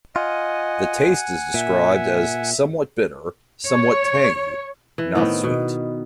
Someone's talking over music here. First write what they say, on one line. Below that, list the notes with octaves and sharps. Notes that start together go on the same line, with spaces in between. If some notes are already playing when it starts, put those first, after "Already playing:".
The taste is described as "somewhat bitter, somewhat tangy, not sweet".
F4 D#5 F#5 G#5
A#2 E5
C#5
E3
A2 D#3 B3 C4
B2